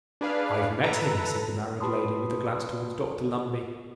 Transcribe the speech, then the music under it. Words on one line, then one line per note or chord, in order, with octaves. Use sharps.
'I've met him,' said the married lady, with a glance towards Dr Lumbey.
D4 G#4 B4 D5 F5
A4 B4 A#5
G4 B4 A5 B5 C6 D#6